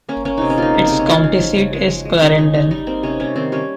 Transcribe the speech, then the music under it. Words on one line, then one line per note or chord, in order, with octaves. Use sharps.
Its county seat is Clarendon.
A#3 C#4
A#3 C#4
C3 D#4
C#4
A#3 D#4 F4
C#3
G#3 C4
C#4
G#3 F4
C#3
F3
C#3
G#3
G#3
G#3
C#3 D#4
C#3 D#4
G3 D#4
G3 D#4
A#3 C4
C3 C#4
G3 C#4
D#3 C4
G3 C#4